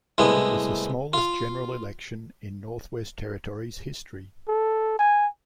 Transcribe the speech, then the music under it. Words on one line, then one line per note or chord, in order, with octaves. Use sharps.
It was the smallest general election in Northwest Territories history.
C2 A2 G#3 B3
F4 F5
A4
G#5